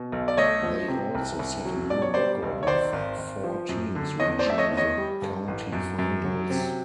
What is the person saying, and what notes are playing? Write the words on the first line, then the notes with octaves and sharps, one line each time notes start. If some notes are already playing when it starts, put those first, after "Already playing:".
They also set a new record with four teams reaching the county finals.
Already playing: B2
B1
D5
A3 C#5 D#5
F3
C3
C2
C2
F#3
B2 D5
C#5
G3 C5 D5
B1
C#5
D#3 C5 D5
G#1
G#1
F3
F#2
D3
E2 C#5 D#5
C5 D5
A3 E5
C#5 D#5
E2
C#5 D#5
G3
G2
A1
F#2
F#2
F#3
C3